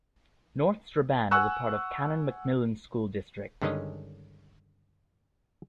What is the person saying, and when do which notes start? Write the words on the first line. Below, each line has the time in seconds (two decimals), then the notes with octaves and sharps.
North Strabane is a part of Canon-McMillan School District.
1.31 F#5 G#5 C#6 E6 F#6
3.62 G2 D3 D#3 G#3 C#4 D#5